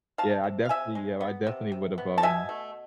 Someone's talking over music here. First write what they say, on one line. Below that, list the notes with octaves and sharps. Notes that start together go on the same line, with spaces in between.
yeah, I definitely yeah, I definitely would've, um
C3 F5 A5
C3
F5
C3 E5 G#5
G#3
B3
C3
C3
B3
A5
B2 E5 G#5
A3